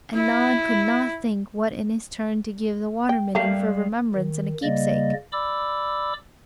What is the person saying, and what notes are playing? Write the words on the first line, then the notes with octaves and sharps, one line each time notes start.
And Nod could not think what in his turn to give the Water-midden for a remembrance and a keepsake.
E4
G5
G3 A3 A#3 G4 F5
D#3
C#3 G3 A#3 D5 D#5
D5 B5 D6 E6